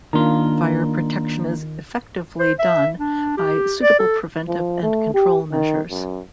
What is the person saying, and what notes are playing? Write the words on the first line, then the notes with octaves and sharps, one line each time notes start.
Fire protection is effectively done by suitable preventive and control measures.
D#3 A#3 D4 F4 A#5
C5
E5
D4
G4
D5
A4
F3
A3
G4
D#3
F#2